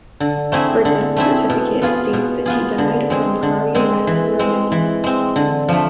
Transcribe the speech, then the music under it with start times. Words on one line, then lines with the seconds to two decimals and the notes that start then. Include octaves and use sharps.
Her death certificate states that she died from cardiovascular disease.
0.20 D3
0.52 A3 C4 E4 G#4
0.85 D3
1.17 A3 C4 E4 G#4
1.50 B2
1.82 B3 F4 G#4
2.13 B2
2.46 B3 F4 G#4
2.78 D3
3.10 G#3 C4 G#4
3.43 D3
3.75 G#3 C4 G#4
4.07 E3
4.39 G#3 C4
4.72 E3
5.04 G#3 C4
5.36 D3
5.69 F3 A3